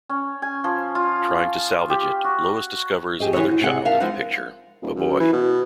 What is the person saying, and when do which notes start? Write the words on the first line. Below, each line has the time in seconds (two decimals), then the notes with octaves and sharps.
Trying to salvage it, Lois discovers another child in the picture: a boy.
0.09 C#4
0.42 G#5
0.64 F3
0.95 F4
1.90 G4
2.24 F#4
3.20 G4 G#4 D#5
3.33 D3 E3 G#3 F#4 C#5
3.49 D#4 F#4
3.61 C3 G#4 F#5
3.85 A#4 E5 F5 A5
4.00 F3 G#3 C4 D#4 B4 F#5
4.82 D#1
4.96 F#2
5.20 E3
5.33 B2